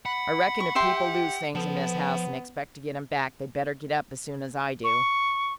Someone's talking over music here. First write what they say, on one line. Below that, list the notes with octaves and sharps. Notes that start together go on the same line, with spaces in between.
"I reckon if people lose things in this house and expect to get 'em back, they better get up as soon as I do."
F#5 B5
C#6
G4 E5 G5 C6
F3 B3 A4
C#6